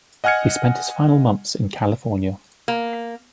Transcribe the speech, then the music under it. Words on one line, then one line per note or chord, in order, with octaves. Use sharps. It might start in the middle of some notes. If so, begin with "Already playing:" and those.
He spent his final months in California.
D#5 F#5 G#5 F6 G#6 C#7
A#3